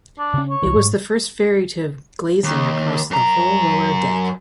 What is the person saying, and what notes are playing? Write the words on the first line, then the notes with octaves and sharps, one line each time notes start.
It was the first ferry to have glazing across the whole lower deck.
D4
C#3 C#4
C#5
C2 E3
G#2
D#2
F#2 A#5